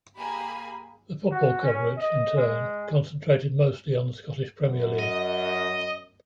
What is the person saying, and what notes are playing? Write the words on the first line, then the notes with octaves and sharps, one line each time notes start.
The football coverage, in turn, concentrated mostly on the Scottish Premier League.
A#3 G4 G#4 G#5 B5
F#4
C#4
D#5
G#3
F#2
D#5